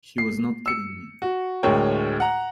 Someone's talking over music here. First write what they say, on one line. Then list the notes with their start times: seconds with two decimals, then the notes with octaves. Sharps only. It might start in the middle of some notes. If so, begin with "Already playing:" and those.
She was not kidding me.
0.18 C7
0.66 E6 C#7
1.22 F#4
1.63 D2 A2 G#3 A#4 C#5 G5
2.20 F#5 A#5